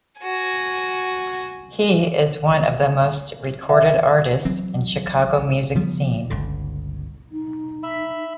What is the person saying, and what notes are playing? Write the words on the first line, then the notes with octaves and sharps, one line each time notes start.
He is one of the most recorded artists in Chicago music scene.
F#4 G#5
E5
E3 F#3 C4
C#3 F3 G3 B3
G1 C#2 D3
D#4
E5 B5